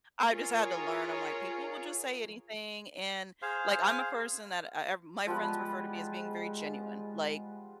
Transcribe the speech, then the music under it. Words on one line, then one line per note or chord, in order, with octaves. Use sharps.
I just had to learn, I'm like, "People will just say anything," and, like, I'm a person that, uh uh my friends refer to me as being very genuine, like,
F4 G#4 A#4 C#5
G#4 C5 F5
F3 G3 G#3 B3